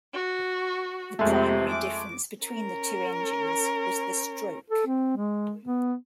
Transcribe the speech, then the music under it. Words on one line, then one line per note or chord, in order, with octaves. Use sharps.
The primary difference between the two engines was the stroke.
F#4
F2 C3 G#3 A3
D6
C#4 A#4
A4
C4
G#3
B3